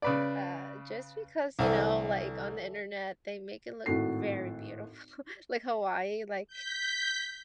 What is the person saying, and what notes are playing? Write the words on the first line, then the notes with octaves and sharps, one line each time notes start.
uh, just because, you know, like, on the Internet, they make it look very beautiful. Like Hawaii, like,
C#3 B4 D5
C2 D3 E3 A3
G#1 A2 F#4 A4 C7
G6 B6